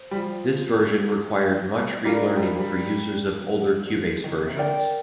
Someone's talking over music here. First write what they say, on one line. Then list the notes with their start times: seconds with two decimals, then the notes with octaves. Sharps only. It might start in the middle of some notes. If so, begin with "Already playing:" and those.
This version required much relearning for users of older Cubase versions.
Already playing: C5
0.11 G3
0.16 F3
2.05 G3 D4 F4 A#4 D5
2.36 G3
2.48 F3
2.59 G3
3.93 F3
4.24 D#3
4.46 C3
4.55 D3 A#4 D5 G5